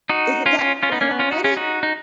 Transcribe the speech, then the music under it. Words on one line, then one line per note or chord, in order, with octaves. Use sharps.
Is it that is it already?
D#4 F#4
C#4 F4
C#4 F4
C#4 F4
B3 D#4
A#3 C#4
B3
C#4 F4
D#4 F#4
C#4 F4
D#4 F#4
D#4